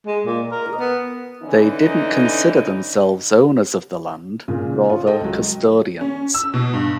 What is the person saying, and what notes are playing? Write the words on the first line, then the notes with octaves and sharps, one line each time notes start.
They didn't consider themselves owners of the land, rather custodians.
G#3
A#2
A#4
B3
D3 E3 C#4 D#4
A#2 C#3
F4 C#5
A4 D#5 G5
C#2 F#3
C#4
E6
B2
G2